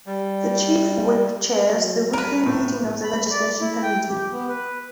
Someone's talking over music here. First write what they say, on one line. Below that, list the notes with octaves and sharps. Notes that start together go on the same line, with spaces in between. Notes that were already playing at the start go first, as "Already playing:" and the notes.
The Chief Whip chairs the weekly meeting of the Legislation Committee.
G3
F#3
G2 A#4 B4
A2 B3
B5
D5
E4
G5
G4
B3
B4